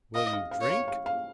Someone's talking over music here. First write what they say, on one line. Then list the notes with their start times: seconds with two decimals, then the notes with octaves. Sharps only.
"Will you drink?"
0.15 D#5 F5
0.33 F5
0.51 F5
0.61 C#5
0.70 F5
0.88 F5
1.06 F5